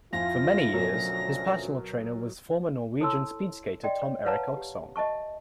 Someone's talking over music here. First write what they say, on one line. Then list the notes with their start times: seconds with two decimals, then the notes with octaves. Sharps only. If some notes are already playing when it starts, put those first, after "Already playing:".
For many years, his personal trainer was former Norwegian speed skater Tom Erik Oxholm.
0.13 F2 E4 F4 G#5 A#6
0.73 D2 B2 F3 F#3 C#4 A#4
3.00 E4 A4 C#5 A5 C6 E6
3.84 D5 D#5 G5 C6
4.02 C#5
4.25 B4 C#5 F5 F#5 A5 A#5
4.57 G4
4.96 D#5 E5 A5 C#6